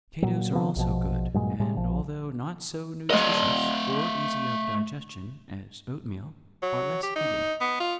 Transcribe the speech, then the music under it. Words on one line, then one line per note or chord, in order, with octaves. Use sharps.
Potatoes are also good, and although not so nutritious, or easy of digestion, as oatmeal, are less heating.
A#2 F#3
C3 F3 B3
A#1 B2 F3
G2 A#2 F#3 G#3
A2 G3 G#3
A#1 F3
A3 D#5
F#3
G4
D#4
B3
F4